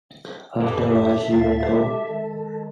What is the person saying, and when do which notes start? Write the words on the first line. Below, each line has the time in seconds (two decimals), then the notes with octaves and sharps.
After a while she went home.
0.62 F#2 A2 E4 G4 A4 B4
0.91 E5
1.32 D2 F5 A6
1.74 G#3 G4
2.08 D#3 G#3